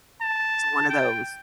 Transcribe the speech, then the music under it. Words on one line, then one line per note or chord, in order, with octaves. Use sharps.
one of those.
A5
G5